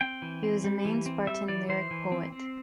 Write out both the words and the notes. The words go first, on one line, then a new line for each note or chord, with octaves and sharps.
He was the main Spartan lyric poet.
C4 G5
E3
C4
G3
E3
C4
G3 E5
E3 D5
E3 C5
E3
C4
C4